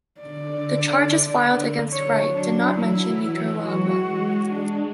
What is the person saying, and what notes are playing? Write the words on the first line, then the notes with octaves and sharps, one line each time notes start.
The charges filed against Wright did not mention Nicaragua.
D3 D5
F#3 C#5
F#3
D4
F#3
E3 E4
F#3
G#3 F#4
D4